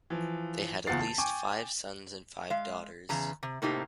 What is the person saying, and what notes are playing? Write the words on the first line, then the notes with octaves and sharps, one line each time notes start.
They had at least five sons and five daughters.
E3 F3
F#1 E2 F4 F#5 A6 C7
A5
G5 G#5 C#6 D6
G#3 F5
E2 C#3 A#5
C3
A2 C3 A#3 C4 D#4 G4